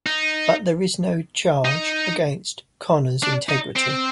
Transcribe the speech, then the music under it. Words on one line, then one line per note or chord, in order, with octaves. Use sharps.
But there is no charge against Connor's integrity...
D#4
D#4
D4
D#4
C4